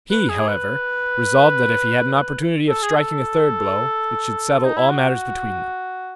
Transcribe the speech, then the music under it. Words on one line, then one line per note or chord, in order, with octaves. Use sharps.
He, however, resolved that if he had an opportunity of striking a third blow, it should settle all matters between them.
B4
G#4
B4
A4
G#4
A4
D#4
E4
F#4